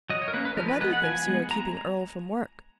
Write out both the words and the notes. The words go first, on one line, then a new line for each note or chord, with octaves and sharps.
"But mother thinks you are keeping Earle from work."
F#3 D#5
C#5
A#4
A#3 C#4 B4
B4
F3 A#4
B4
G#3 B3 B4
F#5
F3 G#5
G#3 B3
A#5